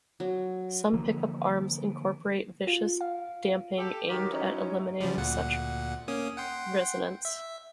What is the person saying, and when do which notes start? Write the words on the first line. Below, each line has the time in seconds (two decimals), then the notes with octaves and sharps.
Some pickup arms incorporate viscous damping aimed at eliminating such resonance.
0.20 F#3
0.93 D3 E3 F3 A#3
2.67 F4
3.01 F5
3.79 G4 A4
4.09 D#3 F#3 G4
4.32 F#3 C#4 D#4 E4
5.01 C#3 F3 G3
5.17 D2 A#2 F#5
6.08 A#3 C#4 D#6
6.37 F#5 G5 C6
7.25 E5